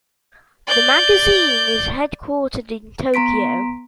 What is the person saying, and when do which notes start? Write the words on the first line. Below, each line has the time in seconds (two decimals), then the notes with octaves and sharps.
The magazine is headquartered in Tokyo.
0.68 D5 G6
3.14 B3 A#5 C6 B6 D7